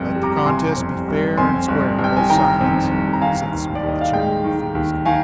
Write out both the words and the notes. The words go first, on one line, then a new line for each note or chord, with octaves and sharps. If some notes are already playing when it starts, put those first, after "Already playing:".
"Let the contest be fair and square on both sides," said Smith, the chairman of the Phoenix committee.
Already playing: G1 F2
G3
A#5 D6
C3 G#5 C6
F2
G1
F2 G#5 C6
G1
G1
G5
G#5
D#3 G5 A#5
F2
G1
A#5
D#3 F5 G#5
D#2
D5
D#2
D#5
F5
G#3 D#5 G5
D#3
D#2
D#3 F5 G#5